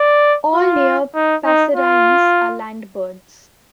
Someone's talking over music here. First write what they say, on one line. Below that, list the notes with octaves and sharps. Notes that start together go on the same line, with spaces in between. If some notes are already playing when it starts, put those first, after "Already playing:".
All near passerines are land birds.
Already playing: D5
F4
D#4
D#4
F4